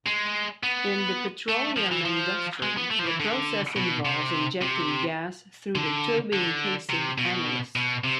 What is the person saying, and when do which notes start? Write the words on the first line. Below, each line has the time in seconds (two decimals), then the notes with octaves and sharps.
In the petroleum industry, the process involves injecting gas through the tubing-casing annulus.
0.06 G#3
0.63 B3
1.49 A3
1.77 F3
1.91 E3
2.05 F3
2.63 G#3
2.77 B3
2.91 A3
3.00 F3
3.05 E3
3.20 D3
3.76 B2
4.05 C3
4.62 C3
5.75 D3
6.33 D3
6.90 C3
7.18 B2
7.76 B2
8.04 C3